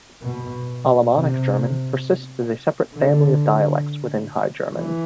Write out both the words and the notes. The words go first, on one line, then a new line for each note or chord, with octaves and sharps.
Alemannic German persists as a separate family of dialects within High German.
B2
C3
D3
E3